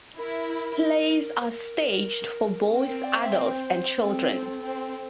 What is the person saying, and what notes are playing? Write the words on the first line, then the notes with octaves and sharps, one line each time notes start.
Plays are staged both for adults and children.
E4 A#4
C5
A#4
C4 A#4
A#4
D5
E5
C5
A#4
C5
C4 A4
C4